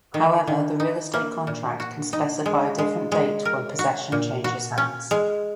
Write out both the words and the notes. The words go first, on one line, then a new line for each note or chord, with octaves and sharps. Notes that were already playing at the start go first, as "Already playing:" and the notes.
However, the real estate contract can specify a different date when possession changes hands.
D#3
D#3
D#4
A#3
A#2
F#4
D#4
G#3
G#3
G#3
A#4
F#4
A#2
F#4
C#4
G#3